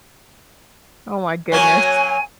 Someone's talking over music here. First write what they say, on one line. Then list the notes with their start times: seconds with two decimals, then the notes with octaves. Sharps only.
Oh, my goodness!
1.52 F#3 A#3 C#4 G#5